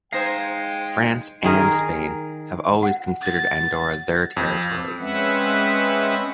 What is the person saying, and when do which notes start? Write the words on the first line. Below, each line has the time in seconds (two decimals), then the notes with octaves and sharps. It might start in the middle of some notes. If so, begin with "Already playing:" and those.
France and Spain have always considered Andorra their territory.
0.13 G#3 D#4 G#4 C5 F5 G5 A#5
1.44 D#3 G#4 A#4
2.83 F#5
3.22 A6
4.37 F2
4.99 G#3 C4 C#4 B4 E5 F#5